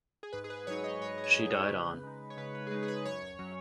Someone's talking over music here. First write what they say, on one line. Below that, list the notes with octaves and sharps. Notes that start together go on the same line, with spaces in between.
She died on.
G#4
G#2 B4
G#4
B4
F#3 D#4 C#5
D#5
G#2 C#5
D#5
C#5
F#3 D#4
G#4
C#3 B4
G#3 D#4
C#5
C#3 B4
B4
G#4
G#3 D#4 B4
G#4
B4
F#2 C#5
F#3 C#4